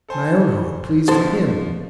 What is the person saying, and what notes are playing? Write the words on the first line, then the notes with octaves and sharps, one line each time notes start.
My own heart pleads for him.
A4 C5 G#5
B2 D3 F3 A4 C5